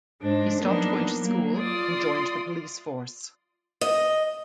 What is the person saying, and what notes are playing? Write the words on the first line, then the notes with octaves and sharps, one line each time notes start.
He stopped going to school and joined the police force.
G#2 G#3 D4 C5
F3 F#3 A#3 B3 D4 D#4
F#3 A#3
F4 D5 C6 D#6
D#5